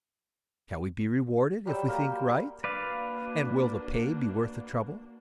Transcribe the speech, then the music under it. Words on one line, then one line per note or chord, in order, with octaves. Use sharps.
Shall we be rewarded if we think right, and will the pay be worth the trouble?
F#3 G3 G5 E6
A#3 A#4 C6
A#3 D4 F#4 B4 D5 F5